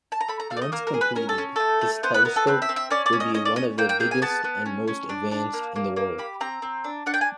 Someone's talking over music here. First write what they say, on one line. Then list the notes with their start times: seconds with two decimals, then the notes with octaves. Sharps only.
Once completed, this telescope will be one of the biggest and most advanced in the world.
0.12 A5
0.21 A#5
0.28 A3 B5
0.40 A#5
0.50 A3 F5
0.57 D5
0.62 D#5
0.72 A#3 A#4
0.87 A#4
0.94 G#4
1.01 B4
1.16 C#4 A#4
1.29 A4
1.38 C#4
1.56 A3 A4
1.81 A3
2.03 B3 C5
2.14 B4
2.25 B3 A#4
2.36 A4
2.47 C4 B4
2.62 E5
2.69 C4
2.76 E5
2.91 C#4 D5
3.06 D5
3.13 C#4
3.20 D#5
3.34 C#4 D#5
3.45 D5
3.56 C#4 D#5
3.78 A#3 G5
3.89 G5
4.00 G#4 G5
4.11 G#5
4.22 B3 A5
4.44 B3
4.66 C#4
4.88 C#4
5.09 D4
5.31 D4
5.53 A#3
5.76 A#3
5.96 A#3
6.18 G4 B5
6.41 C4 A#5
6.62 C4
6.84 D4
7.06 D4 F#5
7.14 G5
7.21 G#5